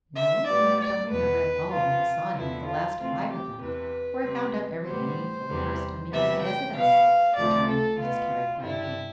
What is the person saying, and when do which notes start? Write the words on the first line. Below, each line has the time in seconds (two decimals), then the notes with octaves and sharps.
"No; and I don't remember at all what I saw in him the last five of them, for I found out everything needful the first time he came to visit us!" returned Mrs. Carey quietly.
0.17 E5
0.47 A2 G3 B3 D5
0.79 D5
1.10 E2 B2 B3 B4
1.73 C3 F3 B3 F4
2.35 E2 D3 F3 B3 E4
2.67 F4
2.98 C3 E3 A3 C4 F4
3.30 G4
3.60 E2 C3 E3 B4
4.23 C3 G3 C4
4.86 A2 G3 B3 C5
5.49 E2 C3 G3 B3
6.11 C3 E3 G3 B3 E5
6.43 G5
6.74 B2 B3 F5
7.37 D2 C3 F3 A3 D5
7.68 A4
7.99 B2 B3 F4
8.62 G2 D3 G3 E4